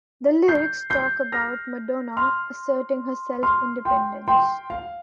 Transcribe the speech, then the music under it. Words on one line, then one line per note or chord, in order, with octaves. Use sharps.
The lyrics talk about Madonna asserting her self-independence.
G6 C7
G6 C7
F6 A#6
C6 F6
C6 F6
G5 C6
G5 C6
F5